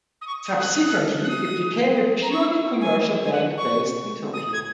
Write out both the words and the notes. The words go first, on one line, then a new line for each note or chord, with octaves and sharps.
Subsequently, it became a purely commercial bank based in Tokyo.
D#6
C#6
D#6
F#6
D#6
F#6
F#6
D#6
A#5
C#6
G#5
G#5
F#5
C#6
D#6
G#6